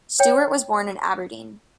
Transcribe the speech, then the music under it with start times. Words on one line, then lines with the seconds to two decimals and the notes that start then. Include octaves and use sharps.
Stewart was born in Aberdeen.
0.20 C#5 G5